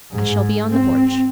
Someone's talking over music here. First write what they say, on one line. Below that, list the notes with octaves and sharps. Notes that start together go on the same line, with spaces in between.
I shall be on the porch.'
G#2
C4